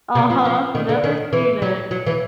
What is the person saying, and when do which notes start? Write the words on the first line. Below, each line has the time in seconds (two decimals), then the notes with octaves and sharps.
Uh-huh. Never seen it.
0.15 C3
0.30 F3
0.45 F3
0.75 D#3
0.89 D3
1.04 D#3
1.33 E3
1.62 F#3
1.91 F#3
2.06 E3